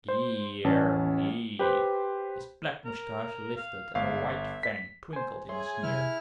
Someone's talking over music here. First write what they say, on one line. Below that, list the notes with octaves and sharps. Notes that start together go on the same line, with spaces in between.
"Dear me!" His black moustache lifted and a white fang twinkled in a sneer.
C5
A1 C#4 A5
G4 B4 C5
A#4
F5
G1 E5 F5
B6
C5 G#5
G#4 C#5 E5 G#5 C6
C3 E4 F6